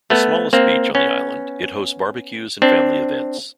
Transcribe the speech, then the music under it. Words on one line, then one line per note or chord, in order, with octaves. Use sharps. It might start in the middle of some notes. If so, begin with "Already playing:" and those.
The smallest beach on the island, it hosts barbecues and family events.
A3 B3
A#3 C4
B3 C#4
C4 D4